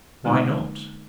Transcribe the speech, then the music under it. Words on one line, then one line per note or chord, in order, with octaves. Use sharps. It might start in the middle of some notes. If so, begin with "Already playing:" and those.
"Why not?"
D3 G#3 A#3 B3 D#4